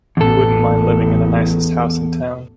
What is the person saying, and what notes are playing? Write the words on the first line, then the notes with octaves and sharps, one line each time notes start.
You wouldn't mind living in the nicest house in town.
A1 E2 A4